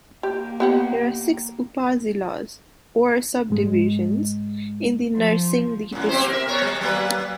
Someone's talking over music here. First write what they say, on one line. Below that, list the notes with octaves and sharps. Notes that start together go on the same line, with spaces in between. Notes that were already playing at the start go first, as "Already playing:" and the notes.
There are six upazilas, or subdivisions, in the Narsingdi district.
A#3 G4
B3 G4 F#5
G#2 G#3
F3
F#2 A2
C4 G4 C5
A#4 E5
B2 A#4 C#5
G3
F#3 A#3 B4